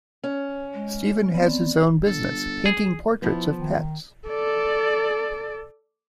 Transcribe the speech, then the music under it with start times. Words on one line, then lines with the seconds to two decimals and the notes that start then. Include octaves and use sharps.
Steven has his own business: painting portraits of pets.
0.24 C#4
0.74 G#3
1.34 B3 C4 D5
2.06 G1 A4
2.66 G#4
3.22 F3 B3 E4
3.56 D#3
4.28 A4 D5